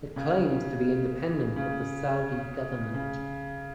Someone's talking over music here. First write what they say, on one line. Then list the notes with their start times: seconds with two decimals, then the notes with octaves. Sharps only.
It claims to be independent of the Saudi government.
0.16 C#3
1.56 C#3
2.94 C#3